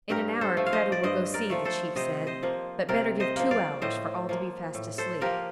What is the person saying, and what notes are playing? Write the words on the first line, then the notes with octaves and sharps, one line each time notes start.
"In an hour Kreta will go see," the chief said; "but better give two hours for all to be fast asleep."
G2 G4 A#4
A4 C5
F3 A3
F5
C5 D#5
D5
G2 C5 D#5
A#4 D5
F3 A3
A4 C5
C3 C5 D#5
C5 D#5
F3 A#3
C3 A#4 D5
C5 D#5
F3 A#3
D5 F5
A2 C5 D#5
F3 A#3
A2
A4 C5
F3 A#3 G4 A#4